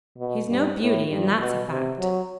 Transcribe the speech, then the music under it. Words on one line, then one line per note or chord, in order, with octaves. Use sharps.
"He's no beauty, and that's a fact."
B2
G2
A2
G2
B2
C3
F#3